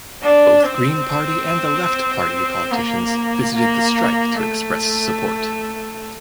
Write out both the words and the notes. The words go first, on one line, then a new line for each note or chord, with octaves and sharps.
Both Green Party and The Left party politicians visited the strike to express support.
D4
C4
A#3
A#3
A3